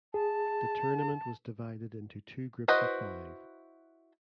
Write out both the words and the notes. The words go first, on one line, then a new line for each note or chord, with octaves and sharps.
The tournament was divided into two groups of five.
G#4 A5
E4 F#4 B4 C5 D#5